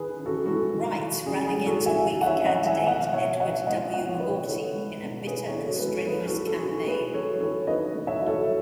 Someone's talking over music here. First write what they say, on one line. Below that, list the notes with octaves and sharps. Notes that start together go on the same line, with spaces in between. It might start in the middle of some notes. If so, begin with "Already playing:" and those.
Wright ran against Whig candidate Edward W. McGaughty, in a "bitter and strenuous" campaign.
Already playing: D#3 E4 G#4 B4
C#4
F#4 A4
G#3 F#4 A4
D#3
E4
C#4 G#4
G#4
G#3
F#4 A4
D#3
E5 G#5
E4
F#5
C#5 E5
C#4
D#5 F#5
G#3
E5 G#5
B2 D#5 F#5
B2 C#5 E5
B3 D#5 F#5
G#3 D#5 F#5
B2 D#5 F#5
C#5
B2 B4 D#5
B3 A4 C#5
G#3
B2
B2 G#4 B4
A4 C#5
B3
F#4 A4
G#3 B4
A4 C#5
F#3 G#4 B4
F#4 A4
F#3
F#4 A4
D#4 G#4
F#4 A4
A3 G#4 B4
F#3 A4 C#5
F#3 A4 C#5
D#4 B4 D#5
A3
C#5 E5
F#3
A4 C#5